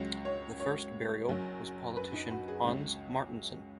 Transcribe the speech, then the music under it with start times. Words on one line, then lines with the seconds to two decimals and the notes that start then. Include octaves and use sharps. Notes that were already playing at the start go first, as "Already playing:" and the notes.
The first burial was politician Hans Martinson.
Already playing: C#2 C#3 F#3
0.25 C#5
0.60 C#5
1.28 F#1 F#2 F#3
1.97 B4
2.13 D#4
2.31 F#4
2.48 G#4
2.65 C#2 C#3 F#3